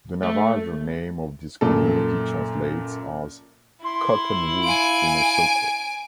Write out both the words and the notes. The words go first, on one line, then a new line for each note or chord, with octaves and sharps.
The Navajo name of this community translates as "cottonwoods in a circle".
A3
F#2 A#2 A4
E4 C6
F5 G#5 D7